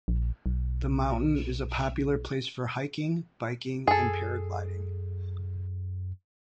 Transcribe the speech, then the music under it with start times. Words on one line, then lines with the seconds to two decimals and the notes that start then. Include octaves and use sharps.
The mountain is a popular place for hiking, biking and paragliding.
0.08 A#1
0.46 B1
3.87 F#2 G#4 A4